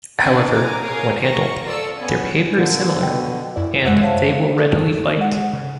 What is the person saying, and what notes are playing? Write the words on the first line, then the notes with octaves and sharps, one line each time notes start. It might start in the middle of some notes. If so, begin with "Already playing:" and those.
However, when handled, their behavior is similar, and they will readily bite.
C4 D4 D#4 E5 F#5 G#5
G#5 A#5 D6
G#4 A#4 C#5 F5
A#4 C#6 A#6
F4 A4 D5 E6 C#7
B3 C#4
A#2 D3
B2 G5
F#2 E4 D5
F#2 G#3 E5 F#5 E6 F#6
C5 C#5 F5 A5
A4
G#3 F#5
G#2 C#3